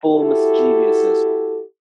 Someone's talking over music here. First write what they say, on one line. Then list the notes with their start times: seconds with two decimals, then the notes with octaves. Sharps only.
full mischievousness.
0.12 E4 F#4 G4 A4